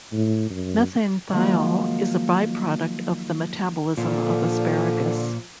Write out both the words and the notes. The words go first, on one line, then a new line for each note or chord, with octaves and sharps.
Methanethiol is a byproduct of the metabolism of asparagus.
A2
F#2
D#3 F3 F#3 G#3 A#3
A#2 D3 F3